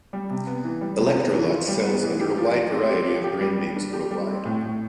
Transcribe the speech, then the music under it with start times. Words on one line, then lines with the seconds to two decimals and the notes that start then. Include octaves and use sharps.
Electrolux sells under a wide variety of brand names worldwide.
0.13 G3
0.30 C3
0.47 B3
0.64 E3
0.81 G3
0.98 C3
1.16 B3
1.34 E3
1.51 F4
1.68 G3
1.86 B3
2.03 E3
2.20 G4
2.37 F3
2.55 F3
2.72 C4
2.89 G4
3.06 F3
3.24 G4
3.41 G3
3.59 G3
3.76 D4
3.93 G4
4.11 G3
4.28 C4
4.45 A2
4.62 A2